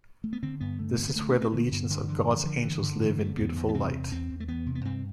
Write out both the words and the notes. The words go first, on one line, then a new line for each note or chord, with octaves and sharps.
This is where the legions of God's angels live in beautiful light.
A3
B3
D3 C4
G2 B3
D3 A3
D3 B3
B3
G2 A3
D4
D3
C4
D3 B3
G2
G2 D3
D3 E3
D3 F3
D3 F3
G2 E3
G2 D3
D3 E3
D3 A3
E2 B3
E2
B3
C3 C4
E2
E2 C4
E2
A3
E2 B3
C3
B3
G2 C4